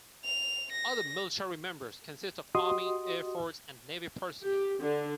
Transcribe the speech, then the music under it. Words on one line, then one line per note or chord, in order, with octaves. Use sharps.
Other military members consist of Army, Air Force and Navy personnel.
F7
A#6
F#4 G4 D#5 C6 D#6
G4
D3